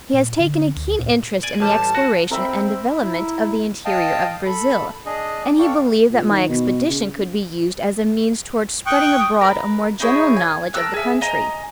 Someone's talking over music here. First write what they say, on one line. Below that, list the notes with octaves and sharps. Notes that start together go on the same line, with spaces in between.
He has taken a keen interest in the exploration and development of the interior of Brazil, and he believed that my expedition could be used as a means toward spreading abroad a more general knowledge of the country.
A#2
D3
D2
A#2
D5 G#5
A1 G3 A5
F#4
C4 A#4 E5 B5
E4
D#5 F5 G5 A5
A4 B5
D4 G#4 D#5
D5
D4 A4 D5 F5 G5 C#6
A#2
D#3
B2
C#3
G5 C#6 D#6 F#6
A#4 B4
D#4 E4 G#4 C#5
G#5
A#4 A5 E6 F#6
G#4 E5
D#5 G#5 A#5